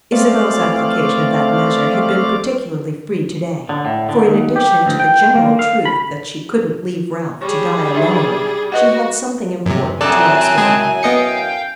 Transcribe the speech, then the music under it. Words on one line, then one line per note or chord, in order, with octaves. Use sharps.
Isabel's application of that measure had been particularly free to-day, for in addition to the general truth that she couldn't leave Ralph to die alone she had something important to ask of him.
A3 C4 D5 F5
D3
A2
D3
D#2
G4
D2
G5
A#3
F5
B5
G3 G#4 C#5 C#6
D4 D#4 E5
F#4 B4 D#5 F#5
F#2 C3
F#2 A2 C4 A4 D5 G#5 A5 F#6
G#3 G#4 G#6
B3 D#5 F5 G5 G6 C#7